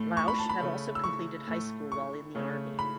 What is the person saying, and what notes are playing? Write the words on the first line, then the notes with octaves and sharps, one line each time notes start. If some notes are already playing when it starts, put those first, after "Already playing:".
Lausche had also completed high school while in the Army.
Already playing: A2 A3
C#6
B5
A5
B5
C#3 A3
E6
C#6
A2 A3
C#6
C#3 A3
B5